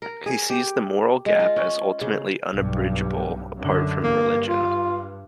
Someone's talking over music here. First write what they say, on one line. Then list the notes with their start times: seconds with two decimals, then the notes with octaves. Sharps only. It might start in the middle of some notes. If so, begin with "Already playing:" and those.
He sees this "moral gap" as ultimately unbridgable apart from religion.
0.02 A#4
0.26 G#4
0.50 G4
1.26 G#3
1.40 F4
1.56 C#4
2.01 C#3
2.53 B1 G2
3.59 F#2 D3
4.03 G2 A#3
4.49 F4